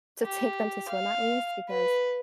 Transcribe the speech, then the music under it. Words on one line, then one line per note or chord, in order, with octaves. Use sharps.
to take them to swim at least because
G4
F5
B4